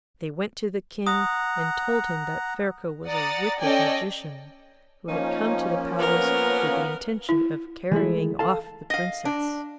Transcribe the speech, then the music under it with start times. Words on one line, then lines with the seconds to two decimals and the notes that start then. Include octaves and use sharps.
They went to the King and told him that Ferko was a wicked magician, who had come to the palace with the intention of carrying off the Princess.
1.07 F#5 A#5 D#6
3.06 D5 F#5 A#5 D#6 A6
3.60 C#4 A4 D5 D#5 G5 G#5
5.08 F3 A#3 C#4 D#4
5.99 B3 A#4
7.29 E4
7.92 E3 G#3 A3 E4
8.39 A4 F5 A5
8.90 D#5 F5
9.25 D4